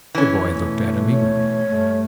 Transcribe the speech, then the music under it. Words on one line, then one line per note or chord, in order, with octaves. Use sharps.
The boy looked at him eagerly.
E3 C#4
B2 A3
C#5
G2 A3